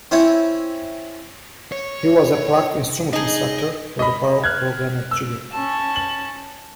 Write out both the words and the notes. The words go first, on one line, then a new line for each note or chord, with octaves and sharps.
He was a plucked instrument instructor for the Baroque program at Juilliard.
C4 C#4 E4
C#5
D#4 G#4 D#5
D#5 B5
F6 F#6 G#6
E6
C#4 A5
F#7